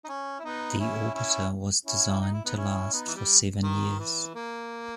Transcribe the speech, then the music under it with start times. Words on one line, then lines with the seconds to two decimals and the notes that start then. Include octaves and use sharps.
The orbiter was designed to last for seven years.
0.04 D#4
0.08 C#4
0.39 E4
0.44 B3 D#4
0.79 C#4 E4
1.14 C#4 E4
1.85 C#4 E4
2.21 D#4
2.33 E4
2.45 B3 D#4
2.57 C#4 E4
2.92 B3 D#4
3.08 E3
3.16 G3
3.63 D#3
3.99 E3
4.35 A#3